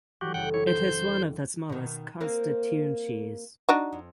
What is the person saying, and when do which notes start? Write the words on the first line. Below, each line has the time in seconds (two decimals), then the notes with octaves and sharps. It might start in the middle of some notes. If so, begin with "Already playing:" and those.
It is one of the smallest constituencies.
0.21 E3 F#3 G3 F#4 G4
0.34 F#1 G3 A4 F#5 G5
0.54 F#3 D4 E4 C#5
0.67 C5 G6
1.70 B2 D#3
2.21 A#3 C4 A#4
3.69 D4 D#4 F#4
3.93 F2